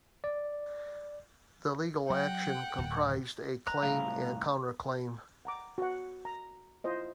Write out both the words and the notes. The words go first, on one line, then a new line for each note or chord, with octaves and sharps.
The legal action comprised a claim and counterclaim.
D5
F#3 F#5 G5
D1
A#5 F#6
C2 A2 F5
F#5 A#5 D6
F#4 F#5
A#5
E4 F4 C5 D#5